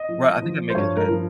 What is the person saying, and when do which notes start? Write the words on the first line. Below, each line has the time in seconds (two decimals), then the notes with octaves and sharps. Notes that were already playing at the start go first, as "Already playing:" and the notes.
right, I think that makes sense.
Already playing: D#5
0.09 F3
0.42 F3
0.70 C5
0.75 G2 C#5
0.97 A#4
1.08 F3